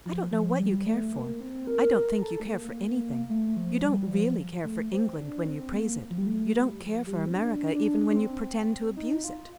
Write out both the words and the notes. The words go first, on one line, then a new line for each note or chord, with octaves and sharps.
"I don't know what you care for; I don't think you care for anything. You don't really care for England when you praise it; you don't care for America even when you pretend to abuse it."
F3
F3
G3
A3
A#3
C4
A#4
A#4
A4
A3
A#3
A3
F3
G3
F3
A3
C4
D4
C4
A#3
F3
G3
A3
G3
F3
G3
C4
D4
D4
D4
C4
D#4
F4